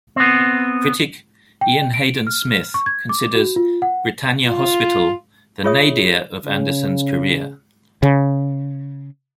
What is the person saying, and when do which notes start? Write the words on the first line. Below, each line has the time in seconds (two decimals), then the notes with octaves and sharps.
Critic Ian Haydn Smith considers "Britannia Hospital" the "nadir" of Anderson's career.
0.16 B3 C4
1.61 G5
1.94 D7
2.27 F6
2.74 C#6
2.86 G#6
3.09 D6
3.35 F#4
3.56 F4
3.82 F#5
4.46 F4
5.64 F4 G#4 C#5 E5 D#6
6.44 C#3
8.03 C#3